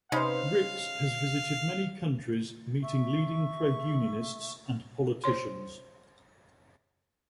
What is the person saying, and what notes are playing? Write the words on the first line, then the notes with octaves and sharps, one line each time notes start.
Rix has visited many countries meeting leading trade unionists and politicians.
C3 C#4 D#4 B4 C5 F5
E5 C#6
C5 C#5 C6